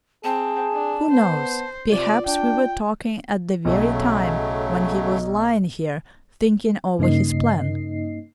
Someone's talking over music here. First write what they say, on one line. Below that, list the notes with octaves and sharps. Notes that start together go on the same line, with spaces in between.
Who knows, perhaps we were talking at the very time when he was lying here thinking over his plan.
C4 G#4 A5
D4
B3 C5
C3 F4 D5
D4 G5
B1 C#3 F#3 A3
G2 C#3 A#3 D#4 D#5 C7